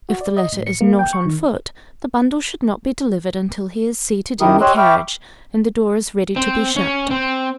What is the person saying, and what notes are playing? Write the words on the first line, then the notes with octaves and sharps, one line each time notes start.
If the latter is not on foot, the bundle should not be delivered until he is seated in the carriage, and the door is ready to be shut.
F#4
D5
D#5
A2
C#7
A#3
G5
C#6
D#3
F#2 D#3 E4 G4 A#4 D#6
G4 C#5 D#5 C6 E6 F#6
E5 G5 B5 C#6 D6 F6
C4
C#4
C4